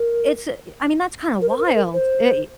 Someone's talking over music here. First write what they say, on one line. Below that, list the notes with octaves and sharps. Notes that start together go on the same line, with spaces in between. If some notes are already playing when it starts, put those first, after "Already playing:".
it's i I mean, that's kinda wild, i
Already playing: A#4
A#4
C5
A#4
C5
A#4
C5